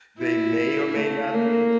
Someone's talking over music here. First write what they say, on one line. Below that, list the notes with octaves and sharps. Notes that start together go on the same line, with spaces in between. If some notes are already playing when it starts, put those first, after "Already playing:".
They may or may not be
E4
A3
A#3